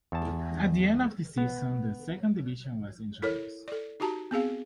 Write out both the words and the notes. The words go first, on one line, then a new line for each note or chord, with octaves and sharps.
At the end of the season the second division was introduced.
E2 A5
B3
E4 A4 A#4 C#5
A4 D5
D#4 F#4 G4 A5 A#5
B3 C4 G#4 F5